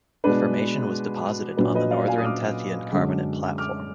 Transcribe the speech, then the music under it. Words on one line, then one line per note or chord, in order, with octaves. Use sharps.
The formation was deposited on the Northern Tethyan Carbonate Platform.
B2 G#3 D4 B4
A#2 F#3 D4 B4
B4 D#5
D5 F5
F5 G#5
D#6
D6 F6
F#2 D3 G#3
D6 F6